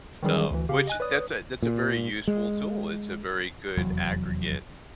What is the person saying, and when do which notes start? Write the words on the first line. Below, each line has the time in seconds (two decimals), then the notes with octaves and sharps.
So, which that's a that's a very useful tool. It's a very good aggregate
0.23 D#3 E3 F#3 G3 C#4 G#4
0.51 D2 E3
0.69 C#3 G4 F5
0.87 D#5 G#5 F#6
1.00 B4 C#5 D5 D#6
1.62 A#2
2.28 G#3
3.77 F1 E2 F#3